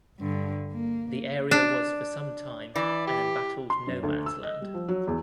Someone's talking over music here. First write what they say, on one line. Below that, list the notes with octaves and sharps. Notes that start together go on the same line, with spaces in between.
The area was for some time an embattled no-man's land.
G2 D3
A#3
D4
E3 D5
G4
C6
F#2
D2
E6
D#5
G3
F3
F#3
E2